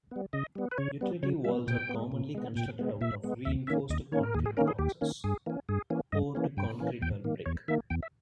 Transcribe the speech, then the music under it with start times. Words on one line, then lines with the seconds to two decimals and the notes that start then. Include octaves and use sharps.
Utility vaults are commonly constructed out of reinforced concrete boxes, poured concrete or brick.
0.11 G3 B3
0.33 C#3 D#5
0.55 G3 B3
0.72 B4
0.78 C#3 C#5
1.01 G3 B3
1.23 C#3 C#5
1.44 G3 B3 E5
1.67 A#2 G5
1.89 G#3 B3
2.12 A#2
2.35 G#3 B3
2.56 A#2 G5
2.79 G#3 B3
3.01 A#2 E5
3.24 G#3 B3
3.45 D#2 E5
3.67 D#3 A#3 C#4 E5
3.89 D#2 D#5
4.12 D#3 A#3 C#4 C#5
4.23 A#4
4.34 D#2 G#4
4.46 G#4
4.57 D#3 A#3 C#4 A#4
4.68 G#4
4.79 D#2 G4
5.01 D#3 A#3 C#4
5.24 G2 G#4
5.46 E3 A#3 C#4
5.69 G2 G#4
5.90 E3 A#3 C#4
6.12 G2 D#5
6.35 E3 A#3 C#4
6.57 G2 G5
6.80 E3 A#3 C#4
7.02 E2 G5
7.24 D#3 A#3
7.46 E2 C#5
7.68 D#3 A#3 E5
7.90 E2 G5
8.03 E5